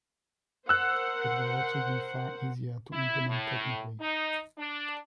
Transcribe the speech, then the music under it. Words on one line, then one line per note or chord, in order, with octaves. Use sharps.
It would also be far easier to implement technically.
A#4 C5 F#5 E6 F#6
E4
A2
D#4
D4